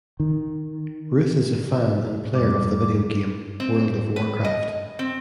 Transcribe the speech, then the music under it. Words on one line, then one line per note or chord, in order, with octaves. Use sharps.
Routh is a fan and player of the video game "World of Warcraft".
D#3
F2 G3 D6
C4
B4
D#5
C4